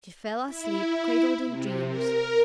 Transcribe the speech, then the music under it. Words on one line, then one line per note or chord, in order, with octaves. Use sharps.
She fell asleep cradled in dreams.
E4
C3
A#4